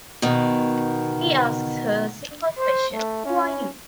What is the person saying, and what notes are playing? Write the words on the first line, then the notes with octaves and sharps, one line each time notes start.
He asks her a simple question: Who are you?
B2 D#3
C5
A3
C#4